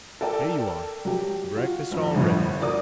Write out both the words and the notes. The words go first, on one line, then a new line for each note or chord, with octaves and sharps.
Here you are, breakfast all ready!
A4 A#4 D5 G5 A5
F#3 G4
F4 F#4
A#1 F2
G1 F2 A2 D3
F#4 A#4 D5 D#6